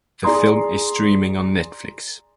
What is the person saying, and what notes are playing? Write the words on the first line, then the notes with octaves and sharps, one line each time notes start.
The film is streaming on Netflix.
G#4 D5 A#5 C6 D#6